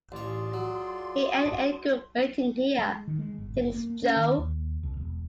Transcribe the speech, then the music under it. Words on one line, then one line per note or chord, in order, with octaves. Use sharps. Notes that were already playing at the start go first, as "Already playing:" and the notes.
"It ain't any good waiting here," thinks Jo.
A1 F4 G#4 C#5 D5 C6
F#3
G#3
D#3
G#3
G1
F#1
A#3
C#4
D#3
D#2
C2
E1